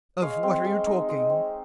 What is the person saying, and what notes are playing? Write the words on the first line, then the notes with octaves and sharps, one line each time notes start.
"Of what are you talking?"
G#3 C#5 F5
C4
G#3
D#4
G#3
C4